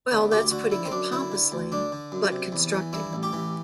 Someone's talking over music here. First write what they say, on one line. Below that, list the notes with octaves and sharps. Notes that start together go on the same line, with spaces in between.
Well, that's putting it pompously - but constructing.
D3 B3
D2 G4
D3 F#4
D3 E4
C4
F#2 D4
D3 E4
D3
D2
D3 D4
D3
F#2
C3
E2
E3
G2 E4
A1
G4
E3